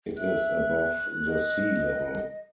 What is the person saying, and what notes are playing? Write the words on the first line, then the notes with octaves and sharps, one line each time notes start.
It is above the sea level.
E5 F#6
D#5